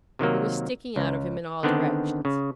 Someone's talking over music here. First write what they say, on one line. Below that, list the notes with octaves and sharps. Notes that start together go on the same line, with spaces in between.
It was sticking out of him in all directions.
C3 D#3 F#3 A#3
C#2
D3 D#3 B3 C4 D4
C#3